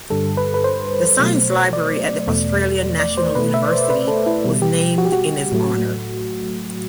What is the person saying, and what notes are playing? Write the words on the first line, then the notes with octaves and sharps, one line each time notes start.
The science library at the Australian National University was named in his honour.
G2 D3 G3 A4
B4
B4
C5
B2 F#3 A3
D5
E2 B2 A3
D5
C5
B2 A3 B4
E5
D5
C5
B4
A4
E4
B2 G3
G4
F#4
G4
F#4
A2 F#3 A3